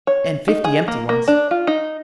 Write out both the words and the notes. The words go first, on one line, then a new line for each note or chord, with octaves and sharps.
"And fifty empty ones."
C#5
D#4
G#4
A#3
A#3
D4
F4
D#4